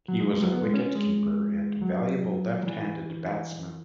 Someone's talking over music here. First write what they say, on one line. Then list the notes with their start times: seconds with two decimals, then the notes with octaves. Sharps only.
He was a wicket-keeper and valuable left-handed batsman.
0.08 F#3
0.20 G#3
0.31 G#3
0.41 F#3
0.52 B3
0.63 G#3
0.74 C#4
0.84 C#4
0.95 G#3
1.81 F#3
2.63 F#3
2.67 E3